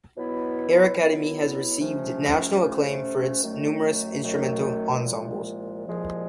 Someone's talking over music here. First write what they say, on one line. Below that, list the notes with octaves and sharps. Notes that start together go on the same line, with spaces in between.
Air Academy has received national acclaim for its numerous instrumental ensembles.
B2 F#3 B3 E4
B2 F#3 B3 E4
F2 C3 F3 A3 C#4
F2 C3 F3 A3 C#4
F#2 D#3 F#3 A3
F#2 D#3 F#3 A3
C2 A#2 F3 G#3
C2 A#2 F3 G#3